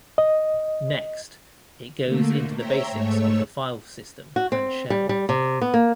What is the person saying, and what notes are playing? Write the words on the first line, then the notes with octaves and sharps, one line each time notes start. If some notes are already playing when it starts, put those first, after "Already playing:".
Next, it goes into the basics of the file system and shell.
D#5
D3 A3 A#3
C5 C#5 E5 G5 A#5
G#2 A3 C#5 E6
F#4
C4
G3
G3
C3
B3
A#3